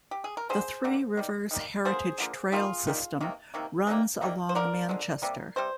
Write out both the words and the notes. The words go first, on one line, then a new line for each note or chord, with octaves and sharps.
The Three Rivers Heritage Trail System runs along Manchester.
G4
G#4
A#4
D3 G3 A#3 G#4 C5
D3 G3 A#3
D#3 G3
D#3 G3 A#3
D3 F3 A#3 G#4 C5
D3 F3 A#3
D#3 G3 A#3 F4 G#4
D#3 G3 A#3
C3 D#3 A#3
C3 D#3 A#3
C3 D#3 G3 A#3
C3 D#3 G3 A#3
C5
D3 F3 A#4 D5
D3 F3 G#3
C3 G3 A#3
C3 G3 C5